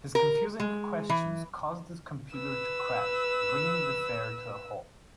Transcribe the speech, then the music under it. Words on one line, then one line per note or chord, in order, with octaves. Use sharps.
His confusing questions cause this computer to crash, bringing the fair to a halt.
A#4
G#3
E3
B4 E6